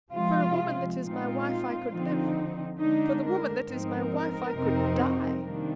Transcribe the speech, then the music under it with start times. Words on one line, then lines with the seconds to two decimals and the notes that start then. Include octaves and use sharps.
For a woman that is my wife I could live; for the woman that is my wife I could die!
0.13 C3 F3 G#3 F4
1.02 A#2 G#3 C4 D#4 F4
1.89 D3 F3 C4 D#4
2.77 D3 G#3 D4 D#4
3.22 A#4
3.65 G#2 F3 C4 D#4 A#4
4.54 F2 C3 F3 C4 D#4
5.42 C3 D#3 G3 A#3 D4